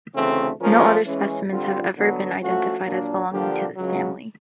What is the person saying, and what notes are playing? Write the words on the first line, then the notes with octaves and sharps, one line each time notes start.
No other specimens have ever been identified as belonging to this family.
D2 C#3 E3 A3 C4
F3 G#3 C#4 F4 A#4
E3 G#3 C#4
D3 G3 C4 F4
D3 F#3 B3 D4
F3 A3 C#4 F#4
A#2 F#3 A#3 D4
D3 F3 A#3 D4 G4
C#2 C#3 F#3